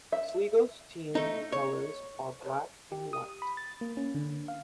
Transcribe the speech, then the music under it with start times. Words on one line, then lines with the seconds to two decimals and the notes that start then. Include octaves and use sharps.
Sligo's team colours are black and white.
0.12 E5
1.15 A3 D#4
1.53 C#5
2.92 G4
3.13 D#6
3.42 B5
3.57 A6
3.81 A#3
3.97 C#4
4.15 D3
4.48 F5